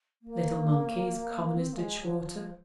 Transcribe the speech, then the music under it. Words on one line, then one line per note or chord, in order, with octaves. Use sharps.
Little monkeys common as ditchwater.
A#3
C4
A#3
G#3
F#3
F3